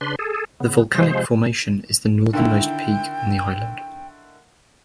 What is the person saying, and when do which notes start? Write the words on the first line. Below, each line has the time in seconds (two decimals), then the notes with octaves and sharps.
The volcanic formation is the northernmost peak on the island.
0.01 C#3 D4 B4 C6
0.19 G#4 A4
0.60 C#3 B3
0.94 C3 F3 G#3 C5
2.33 D3 D#3 E4 G5